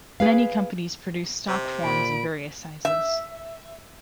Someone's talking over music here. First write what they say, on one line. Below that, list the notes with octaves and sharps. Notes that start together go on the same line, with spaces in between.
Many companies produce stock forms in various sizes.
G#4 B4 F5
C3
A#2 B5 D7
E5